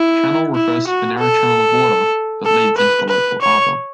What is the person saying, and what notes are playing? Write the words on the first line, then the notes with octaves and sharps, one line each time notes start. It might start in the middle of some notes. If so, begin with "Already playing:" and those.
Channel refers to the narrow channel of water that leads into the local harbour.
Already playing: E4
E4
F#4
A4
A4
B4
B4
C#5